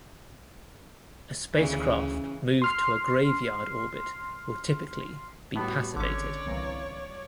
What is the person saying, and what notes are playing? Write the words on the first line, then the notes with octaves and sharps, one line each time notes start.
A spacecraft moved to a graveyard orbit will typically be passivated.
D2 C#3 E3 D5
C#4
C6 F6 C7
A2 G3 B3 F#4
G#1 D3 C#4 C#5 D5 D6
C2 E3 A#3